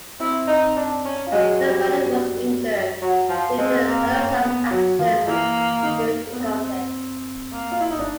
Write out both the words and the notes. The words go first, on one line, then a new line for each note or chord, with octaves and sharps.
Nobody was injured due to the other side's actions during the conflict.
C4 E4
D#4
D4
C#4
F4
F#3 G#3 F#4
G3
F#3
F3
G#3 C4 C5
A#3
C#4 C#5
B3 B4
F#3 F#4
F3 F4
E3 A#3 E4
D#3 D#4
B3
C4
A#3
F4
E4
D#4
D4